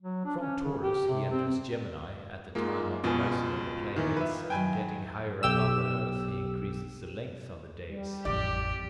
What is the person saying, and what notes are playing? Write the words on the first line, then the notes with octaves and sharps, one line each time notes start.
From Taurus he enters Gemini at the time of the rising of the Pleiades, and, getting higher above the earth, he increases the length of the days.
F#3
D4
C#4
C#3
G4
C3
C4
G#2 G#3 A#3 F4
C#2 B2 F3 F4 G#5
A#2 D#3 E3
F3 B4 E5
D#3 F#3 G5 G#5 B5
B1 G4 E6
G3
A1 F2 G4 D5